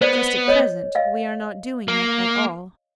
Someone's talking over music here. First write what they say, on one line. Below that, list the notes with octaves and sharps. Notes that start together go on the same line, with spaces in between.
Just at present we are not doing it at all.
B3 C5 D5
C#5 D#5
D#5 F5
A#3